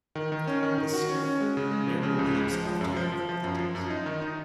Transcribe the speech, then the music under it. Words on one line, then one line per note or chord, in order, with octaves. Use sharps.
The stiff, narrow leaves often have prickly tips.
D#3
D#3
C#4
D#3
D#3
F#4
C#4
C#4
G#3
C#3
G#3
F3
C#3
C#2
G#3
F3
F3
F#2
F3
F3
F3
F#2
F3
F#2
D#4
D#3
D#4